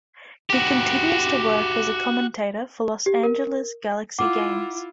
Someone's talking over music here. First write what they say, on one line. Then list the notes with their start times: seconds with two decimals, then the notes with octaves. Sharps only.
He continues to work as a commentator for Los Angeles Galaxy games.
0.50 F#4 G4
3.06 G4
3.23 A#4
4.19 E4 F4 F#5 D6